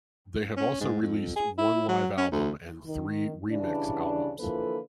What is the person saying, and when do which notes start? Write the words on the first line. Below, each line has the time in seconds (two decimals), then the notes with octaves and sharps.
They have also released one live album and three remix albums.
0.57 C#4
0.80 G#2
1.02 F2
1.36 G#4
1.58 E4
1.88 F#3
2.17 C#4
2.32 D2
2.86 D#3
3.50 G2 C#3 E3 D4
4.40 D3 E3 F3 A#3 A4 B4